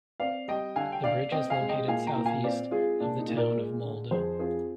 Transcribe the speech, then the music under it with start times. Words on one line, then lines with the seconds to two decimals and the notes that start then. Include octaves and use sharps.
The bridge is located southeast of the town of Molde.
0.20 C4 D5 F5
0.48 G3 D#5 G5
0.76 D3 F5 G#5
0.92 G5
1.04 D3 D5 F5
1.31 C4 D#5 G5
1.50 F5 G#5
1.60 G#3
1.69 D#5 G5
1.88 A#2 F5 G#5
2.07 G5 A#5
2.16 A#2
2.26 F5 G#5
2.44 C4 D5 F5
2.71 G#3 F4 G#4
3.00 A#2 D4
3.19 D#4
3.28 A#2
3.37 A#4 D5
3.55 G#3
3.84 D3
4.11 F2 G#4 C5
4.39 C4 F4 G#4